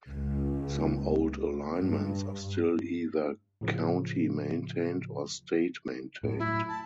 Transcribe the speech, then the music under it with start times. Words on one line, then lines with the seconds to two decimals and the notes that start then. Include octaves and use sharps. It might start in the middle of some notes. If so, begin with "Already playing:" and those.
Some old alignments are still either county-maintained or state-maintained.
0.10 C#2
1.76 G2
3.61 A2 C#3 F3
6.23 A2 F#3
6.39 E4
6.68 A5